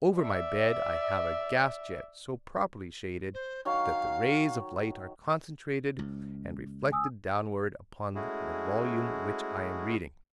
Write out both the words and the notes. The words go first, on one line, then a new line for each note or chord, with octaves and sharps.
Over my bed I have a gas-jet so properly shaded that the rays of light are concentrated and reflected downward upon the volume which I am reading.
D5 E5
C5
D#3 F#3 C#5 F5
C#2
G#5 D#6 E6
G#3 A3 C#4 E4 F#4 G#4